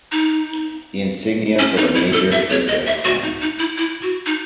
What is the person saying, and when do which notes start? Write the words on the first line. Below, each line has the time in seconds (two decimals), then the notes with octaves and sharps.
The insignia for a major is a crown.
0.12 D#4
1.59 C#4
1.77 D#4
1.95 E4
2.13 A4
2.32 E5
2.50 C#5
2.68 D#5
2.87 E5
3.05 F#4
3.23 D#4
3.42 D#4
3.59 E4
3.77 E4
4.02 F#4
4.26 D#4